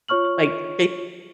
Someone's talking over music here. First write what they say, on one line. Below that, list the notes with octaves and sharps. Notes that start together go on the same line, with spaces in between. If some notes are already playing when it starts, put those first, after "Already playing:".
like, they
F4 C#5 C#6 F6 F#7